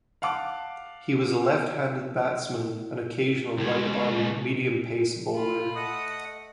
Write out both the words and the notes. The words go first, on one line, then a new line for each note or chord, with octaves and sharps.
He was a left-handed batsman, and occasional right-arm medium-pace bowler.
F5 F#5 A5 D6
C2 G#3
F4 B5
A3 D#5 F#5 D#6